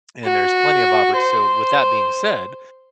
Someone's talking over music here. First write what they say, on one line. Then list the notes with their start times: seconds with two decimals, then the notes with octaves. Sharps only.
And there's plenty of opport so, with that being said,
0.24 F#4
1.16 C5